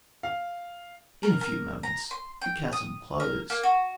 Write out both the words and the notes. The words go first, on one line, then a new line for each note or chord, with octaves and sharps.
In a few moments the chasm closed.
F5
A#4
A#4
A#5
C6
G5
D#6
A#4
A#3
F#4